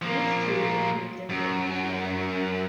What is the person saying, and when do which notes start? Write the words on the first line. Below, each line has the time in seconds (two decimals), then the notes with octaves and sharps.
These two improved their hit ratio.
0.02 F3 A#3
1.29 F#2